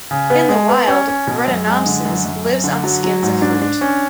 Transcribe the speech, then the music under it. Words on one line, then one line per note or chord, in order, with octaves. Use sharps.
In the wild, "Brettanomyces" lives on the skins of fruit.
C#3
B3
G#3
B3
C#4
C#4
B2
F#2
G#3
D3
F#2
F#2
F#2
D3
F#3
F#3
G#2
D4
D4
C#4